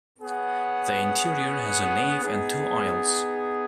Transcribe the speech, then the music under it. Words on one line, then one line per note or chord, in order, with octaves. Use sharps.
The interior has a nave and two aisles.
B3 G#4 C#5 F#5
B3 D#4 G#4